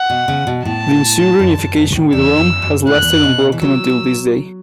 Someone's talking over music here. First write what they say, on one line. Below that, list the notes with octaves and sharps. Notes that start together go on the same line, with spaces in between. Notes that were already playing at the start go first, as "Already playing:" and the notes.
The ensuing reunification with Rome has lasted unbroken until this day.
Already playing: F#5
B2
C#3
B2
A2 A5
F#2
F#2
F#2
A2
E2 E6
F#2
F#2
A2 F#6
F#2
E2
F#2
B2
E3
F#3 E6